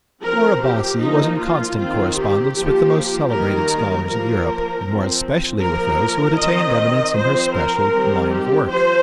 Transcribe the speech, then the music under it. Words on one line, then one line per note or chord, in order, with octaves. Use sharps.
Laura Bassi was in constant correspondence with the most celebrated scholars of Europe, and more especially with those who had attained eminence in her special line of work.
F3 C4 A#4
G4
F3 A#3 D#4
F4
D#3 C4 F4
G4
F3 A#3
D#3 G3 A#3 A#4
F3 A#3 A#4
F3 C4
F3 A#3 A#4
D#3 C4 D#5
F3 C4 C5
A#4
D#3 G3 C4
G4
F3 C5